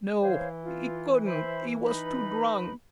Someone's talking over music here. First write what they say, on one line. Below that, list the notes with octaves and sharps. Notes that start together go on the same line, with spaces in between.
No! he couldn't, he was too drunk.
E3 C5 C#5 F5
F4
C5 E5 B5
D#4 B4 B5